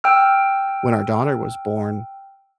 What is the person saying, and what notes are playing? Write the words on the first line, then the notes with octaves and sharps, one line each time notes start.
when our daughter was born
G5 E6 F6